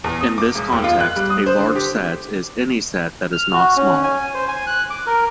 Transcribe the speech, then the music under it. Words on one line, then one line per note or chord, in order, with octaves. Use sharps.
In this context, a large set is any set that is not small.
E2
D#6
D6
E1
D#2
F4
F#6
G3
D#6
C5
D3
G4
F6
F#4
C#4
G#5
C5
G#5
F#6
D6
A#4